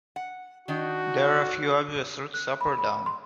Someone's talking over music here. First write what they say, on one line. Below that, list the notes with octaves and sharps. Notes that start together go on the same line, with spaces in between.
There are few obvious routes up or down.
F#5
D#3 D4 D#4 F#4
F#6
B5
B5
C6